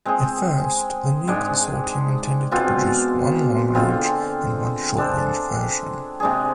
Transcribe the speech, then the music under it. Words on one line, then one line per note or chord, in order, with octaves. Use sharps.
At first, the new consortium intended to produce one long-range and one short-range version.
G#3 C4 G#4
G#2 G#3 D4
B2 G#3 C4 F4
D3 G#3 C4 F4
G#3 D4 A4 C5
C3 G#3 D4 G#4